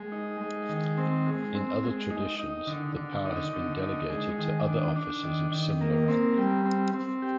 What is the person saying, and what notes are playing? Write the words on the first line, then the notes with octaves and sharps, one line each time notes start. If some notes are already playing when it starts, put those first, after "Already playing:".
In other traditions, the power has been delegated to other officers of similar rank.
Already playing: G#3
D#4
G#3
D#3
C4
G#3
C4
G#3
D#4
D#4
D3
D3
D#4
D3
D#4
G#3
D#3
D4
D4
D#3
D#3
A#3
C4
G3
C4
C4
G4